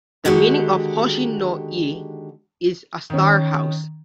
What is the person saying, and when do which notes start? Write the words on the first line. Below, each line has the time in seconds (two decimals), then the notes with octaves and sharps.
The meaning of "Hoshi-no-ie" is "a star house".
0.25 D3 D#3 G#3 F#4 G4
3.10 D#3 C#4